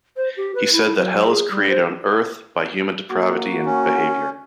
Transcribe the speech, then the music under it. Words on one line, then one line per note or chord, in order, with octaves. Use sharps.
He said that hell is created on earth by human depravity and behavior.
C5
G4
B4
E4
F#3
G#4
G3
C5
A#3 F#4
C#4